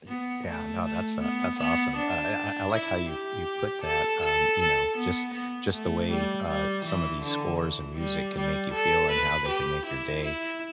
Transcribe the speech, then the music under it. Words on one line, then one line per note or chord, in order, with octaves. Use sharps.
Ye yeah, no, that's, uh, that's awesome. I I I I like how you you put that, um you know, just just the way, uh, some of these scores and music can make you feel and how they can make your day.
B3
A3
A3
B3
B3
D4
E4
G4
A4
A4
A4
B3
B3
A3
G3
G3
E3
D3
E3
G3
G3
A4
B4
G4
E4
E4